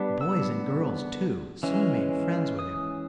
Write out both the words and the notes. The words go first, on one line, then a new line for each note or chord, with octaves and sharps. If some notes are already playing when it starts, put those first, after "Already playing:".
The boys and girls, too, soon made friends with him.
Already playing: G3 B3 D4
E6
E3 G#3 C#4
D#6